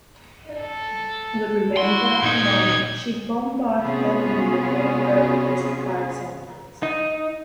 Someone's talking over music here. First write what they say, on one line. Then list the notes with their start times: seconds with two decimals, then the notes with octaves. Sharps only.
For the remainder of the month, she bombarded enemy railroad and supply centers.
0.62 A4
1.77 E4 F#4 C6
2.23 A#2 D#4 G6 G#6
3.82 C3 B3 C#4 F4 F#4 G#4
6.83 D#4